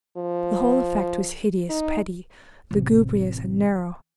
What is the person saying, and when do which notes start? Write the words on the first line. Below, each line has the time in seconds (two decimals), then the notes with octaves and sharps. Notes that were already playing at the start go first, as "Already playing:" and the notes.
The whole effect was hideous, petty, lugubrious, and narrow.
0.17 F3
1.69 D#4
2.71 A1 C3